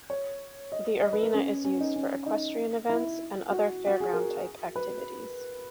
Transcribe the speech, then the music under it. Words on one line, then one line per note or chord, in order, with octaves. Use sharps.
The arena is used for equestrian events, and other fairground type activities.
C#5
D#5
D#5
B4
A#4
C#4
C#4
D#4
C#4
D#4
E4
F#4
F#4
G#4
A#4
B4